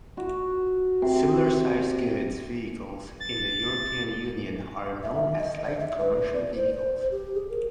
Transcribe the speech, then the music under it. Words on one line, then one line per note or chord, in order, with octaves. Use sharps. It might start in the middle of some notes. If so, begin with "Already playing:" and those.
Similar sized goods vehicles in the European Union are known as light commercial vehicles.
F#4
C3
A6
E5
D#5
D5
E5
B4
D5
C5
C5
C5
G4
G#4
A#4